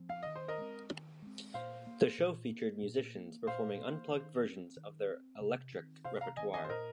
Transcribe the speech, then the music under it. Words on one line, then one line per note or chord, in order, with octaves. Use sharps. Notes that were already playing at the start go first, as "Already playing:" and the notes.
The show featured musicians performing unplugged versions of their electric repertoire.
Already playing: F3 C4
F5
D#3 D#5
C5
A#4 D#5
G#3 C4
D#3
G#3 C4
A#2 C5 F5
A#3
A#2
A#3
A#2
A#3
A#2 C5 F5
A#3
D#3
C4
D#3
C4
C3
D#3 C4
C3 C5 F5
F5 A#5
D#3 C4 D#5 G#5
D#5 G#5
C5
A#2 A#4 D#5